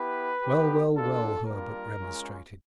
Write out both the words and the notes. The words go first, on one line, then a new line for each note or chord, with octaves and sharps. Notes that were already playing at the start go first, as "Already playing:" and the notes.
"Well, well, well!" Herbert remonstrated.
Already playing: B3 E4 G4 B4
B3 D#4 G4
A#3 D4 F4 A4
G3 A#3 D4 F4 A#4
G#3 C#4 F4